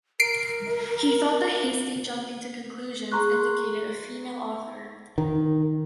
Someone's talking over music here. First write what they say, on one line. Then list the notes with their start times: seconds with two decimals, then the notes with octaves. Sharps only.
He thought the "hasty jumping to conclusions" indicated a female author.
0.20 A#4 C7 D7
3.12 G#4 A#5 C6 C#6 F#6
5.18 D#3